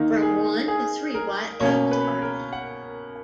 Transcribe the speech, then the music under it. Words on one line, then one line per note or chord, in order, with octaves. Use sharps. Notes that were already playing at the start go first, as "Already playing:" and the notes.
From one to three white eggs are laid.
Already playing: D#3 A#3 D#4
G#4
G#4
A#4
B2 A#3 C#4 C#5
B4
A#4
F#5